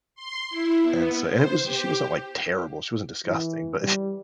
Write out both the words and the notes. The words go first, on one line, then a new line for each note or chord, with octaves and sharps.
And, so and it was she wasn't, like, terrible. She wasn't disgusting, but,
C6
E4
B3
C5
G4
E3
G3